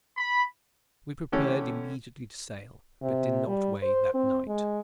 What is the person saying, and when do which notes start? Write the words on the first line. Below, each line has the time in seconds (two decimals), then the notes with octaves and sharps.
We prepared immediately to sail, but did not weigh that night.
0.17 B5
1.32 D3 E3 A3 C#4 G4
3.02 C3
3.47 G3
3.82 C5
4.14 C4
4.48 G#3